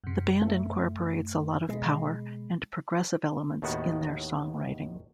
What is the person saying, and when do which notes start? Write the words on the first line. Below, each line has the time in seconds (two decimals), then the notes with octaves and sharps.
The band incorporates a lot of power and progressive elements in their songwriting.
0.04 F#2 C3
0.41 A3
1.69 B2 G#3
3.62 D#2 A2 D#3 B3 F#4